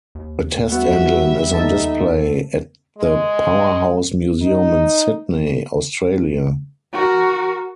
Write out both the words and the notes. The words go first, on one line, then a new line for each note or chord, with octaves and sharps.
A test engine is on display at the Powerhouse Museum in Sydney, Australia.
D#2
G3 B3 F#4 E5
D#2 D#4 A4
G#3
D#4
F#4 A#4